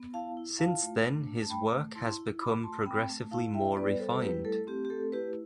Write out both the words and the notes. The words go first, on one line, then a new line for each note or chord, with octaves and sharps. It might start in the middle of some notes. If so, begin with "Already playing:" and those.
Since then his work has become progressively more refined.
Already playing: B3
E4 F5 A5
E4
F4 F5 A5
A3
D4
A3
A5
A3 G5 B5
A3
E4 A5 C6
E4
F4 B5 D6
A3 A5 C6
C4 G5 B5
A3
E4 F5 A5
G3 E5 G5
B3 B4 D5
G3 A4 C5
E4 G4 B4
A3 A4
C4 G4
G4
A3 A4
E4 G4 B4